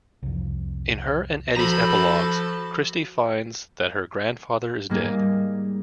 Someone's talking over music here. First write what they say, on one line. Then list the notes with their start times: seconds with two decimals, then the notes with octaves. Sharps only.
In her and Eddy's epilogues, Christie finds that her grandfather is dead.
0.23 C2 F2
1.57 F3 F#4 A4 A#5 B5
4.89 G#2 G3 A#3 G#4